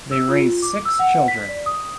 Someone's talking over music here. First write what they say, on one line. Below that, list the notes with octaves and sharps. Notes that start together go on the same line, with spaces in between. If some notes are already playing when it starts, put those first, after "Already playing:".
They raised six children.
E6
F4
D6
E6
F#5
B6
D5
D#6